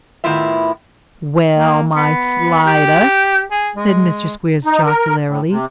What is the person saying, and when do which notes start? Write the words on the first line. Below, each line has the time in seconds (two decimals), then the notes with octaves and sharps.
'Well, my Slider,' said Mr Squeers, jocularly.
0.24 A2 D#3 B3 E4 F4 E5
1.57 A#3
1.96 B3
2.67 G4
3.51 G#4
3.76 G#3
4.65 D#4
4.85 A#4
5.26 A2
5.50 C3